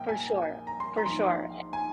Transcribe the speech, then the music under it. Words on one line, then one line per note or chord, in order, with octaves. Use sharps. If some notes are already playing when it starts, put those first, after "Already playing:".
For sure, for sure.
Already playing: A#1 A#2 A#3 G5
G#5
A#5
C6
A#5
A#1 G#2 F3 C6
G#5